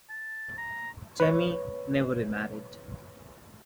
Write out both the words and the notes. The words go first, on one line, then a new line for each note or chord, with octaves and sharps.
Jemy never remarried.
A5
A#5
B4 C#5